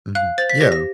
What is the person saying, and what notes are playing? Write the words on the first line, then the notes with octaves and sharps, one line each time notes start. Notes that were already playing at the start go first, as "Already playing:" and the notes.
Mhm, yeah.
F5 F#6
C5 A6
B6
G4 A#6
A#6